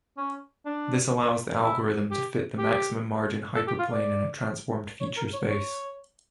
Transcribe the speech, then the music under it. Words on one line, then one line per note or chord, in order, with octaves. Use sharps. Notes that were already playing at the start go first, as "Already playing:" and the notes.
This allows the algorithm to fit the maximum-margin hyperplane in a transformed feature space.
C#4
D4
E4
G4
G4
A4
G4
F4
D5
C#5
A#4
C#5
C#5